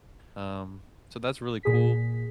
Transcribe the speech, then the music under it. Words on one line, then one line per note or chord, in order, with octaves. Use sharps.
um, so that's really cool
A#2 G#4 B6